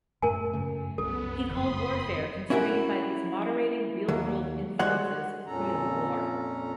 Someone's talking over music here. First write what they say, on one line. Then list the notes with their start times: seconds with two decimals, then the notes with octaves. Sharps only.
He called warfare constrained by these moderating real-world influences real war.
0.22 F#2 A2 A3 A#4 G#5
0.53 F#2 C#3 A3
0.98 C2 F#2 B3 A4
1.49 F#1 F2 F3 B5 C6 D#6
2.50 C#4 E4 F#4 G4 A#4
4.08 D#2 F#3
4.79 G3 G#3 F#4 C5 C#5 F#5
5.47 F2 A#2 C#4 A4 A#5